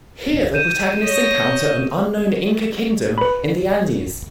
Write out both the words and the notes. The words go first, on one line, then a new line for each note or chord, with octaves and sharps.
Here the protagonists encounter an unknown Inca kingdom in the Andes.
G6 D#7 E7
C#5 D#5
B4 B5